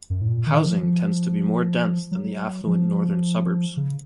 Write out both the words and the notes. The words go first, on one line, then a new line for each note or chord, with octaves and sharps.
Housing tends to be more dense than the affluent northern suburbs.
F#2
A2
A#2
D#3
F3
F3
F#3
F3
C#3